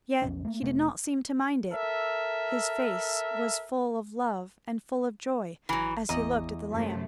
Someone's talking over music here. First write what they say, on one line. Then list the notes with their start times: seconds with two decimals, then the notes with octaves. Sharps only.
Yet he did not seem to mind it; his face was full of love and full of joy as he looked at the lamb.
0.22 B1 F2 B2 C#4
0.45 A3 A#3
0.62 F1 C3 A3
1.72 A4 A#4 E5
5.69 G#1 E3 F#3
6.09 G#1 E2 D#5 A#5
6.70 F#2 C3 F#3 A3